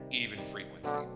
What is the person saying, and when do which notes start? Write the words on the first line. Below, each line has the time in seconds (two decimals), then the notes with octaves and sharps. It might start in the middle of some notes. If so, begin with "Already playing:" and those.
even frequency.
Already playing: C3 D#3 G3
0.35 C3 D#3 G3
0.84 B2 D3 F#3 A3 C4